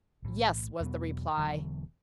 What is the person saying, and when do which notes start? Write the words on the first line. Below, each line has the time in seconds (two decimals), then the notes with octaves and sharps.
"Yes," was the reply.
0.22 B1 A2 E3
0.80 E2 B2 F#3 B3
1.37 E1 E2 D3 F#3